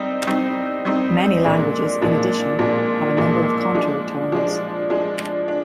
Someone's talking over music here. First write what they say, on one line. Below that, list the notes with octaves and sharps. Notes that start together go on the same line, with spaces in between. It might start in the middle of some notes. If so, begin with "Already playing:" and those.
Many languages in addition have a number of contour tones.
Already playing: G3 C4 D#4
G3 C4 D#4
G3 C4 D#4
A#2 F3 G#3 D4
A#2 F3 G#3 D4
A#2 F3 G#3 D4
A#2 F3 G#3 D4
F3 G#3 D4
F3 G#3 D4
F3 G#3 D4
D4